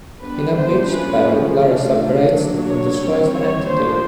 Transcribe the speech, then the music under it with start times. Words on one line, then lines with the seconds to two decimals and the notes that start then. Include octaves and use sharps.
In a pitched battle, Lara separates them and destroys the entity.
0.20 G3 B3 D4 B4
0.55 C5
0.89 F3 A#3 C#4 B4
1.59 F3 A3 D4
2.27 F#3 A#3 D4
2.63 C#5
2.97 G3 C4
3.32 C#5
3.66 F3 A#3 D4 C5